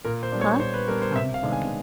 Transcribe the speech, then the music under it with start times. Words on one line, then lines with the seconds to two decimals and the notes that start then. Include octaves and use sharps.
"Huh?" frowned Bobby.
0.05 A#2 A#4
0.23 C5
0.32 G3 B3 D4
0.41 C#5
0.60 A#2 C5
0.74 B4
0.88 G3 B3 D4 A#4
1.02 C5
1.16 C3 E5
1.34 F5
1.43 D#3 G#3 B3 D4
1.52 G#5